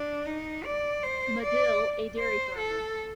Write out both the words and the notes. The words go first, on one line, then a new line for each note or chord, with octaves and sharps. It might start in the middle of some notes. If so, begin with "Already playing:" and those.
Madill, a dairy farmer.
Already playing: D4
D#4
D5
C5
D5
C5
A4